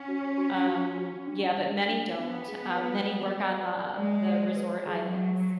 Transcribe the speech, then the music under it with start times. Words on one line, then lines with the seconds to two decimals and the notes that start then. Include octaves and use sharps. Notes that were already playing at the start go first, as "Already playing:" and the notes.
Um, yeah, but many don't, um, many work on the the resort islands.
Already playing: C#4 F#5
0.08 F#4
0.38 F#4
0.68 F#4
0.98 F#4
1.27 D4
1.58 D4
1.88 D4
2.17 B3 D4
2.48 G#4
2.77 C#5
3.07 B4
3.37 D5
3.67 D5
3.96 G#3 D5
4.27 D5
4.56 B4
4.87 F#3 G#4
5.17 F#5